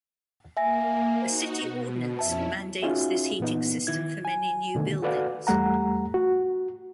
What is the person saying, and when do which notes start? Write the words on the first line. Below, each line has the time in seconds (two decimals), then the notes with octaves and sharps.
A city ordinance mandates this heating system for many new buildings.
0.57 A#3 E5 G#5 A#6
1.22 D#4 F#4 C5
1.61 B2
2.19 F2 C#4 E4 E5 A5
2.83 C#4 D#4 F4 F#4 G#4 E5
3.40 A#2 E3 B3 D#4
3.87 D#3 E4 G#6
4.25 G#5
4.75 B2 D3 D#3 A3
5.02 F#4 A4 B4 D5 F5 F#5
5.47 E2 G3 A3 F#5 A#5
6.14 F#4